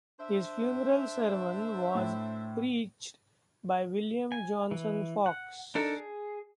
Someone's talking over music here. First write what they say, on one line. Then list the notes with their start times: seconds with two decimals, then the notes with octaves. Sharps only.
His funeral sermon was preached by William Johnson Fox.
0.20 D4 C5 E5
1.95 A2
4.32 G#5
4.71 E3
5.26 F#5
5.75 D4 D#4 A4 A#4
5.97 G#4